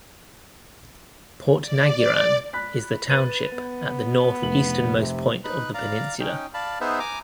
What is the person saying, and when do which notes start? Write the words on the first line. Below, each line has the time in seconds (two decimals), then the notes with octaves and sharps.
Portnaguran is the township at the north-easternmost point of the peninsula.
1.61 D5
2.53 B5 F#6 B6
3.10 B4 A6 D#7 F#7
3.52 B3
4.42 F1 F#7
4.97 C3
5.44 D#4 B4 B5 F#6
5.74 D5 F5 A#5
6.20 C#4 D#4 G5
6.54 D5 F5 A5 B5
6.81 B3 D#4 G#4 B4 C5 E5
7.00 G#5 A#5 D6